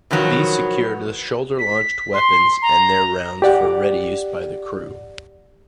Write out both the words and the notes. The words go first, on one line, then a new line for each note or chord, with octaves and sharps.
These secured the shoulder-launched weapons and their rounds for ready use by the crew.
B2 D#3 F3 F#3 B3
B6
C6
A#5
G4 D5 F#5